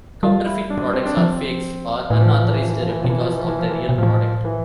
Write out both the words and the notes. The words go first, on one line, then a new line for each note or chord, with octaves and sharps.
Counterfeit products are fakes or unauthorised replicas of the real product.
G3 F4
E4
D4
C4
D4
F3 C4
A2 E3
F3
E3
F3
E3
F3
E3
F3
E3
F3
B2
E3
F3
E3
F3
E3
F3
E3
B2
A2 F3
E3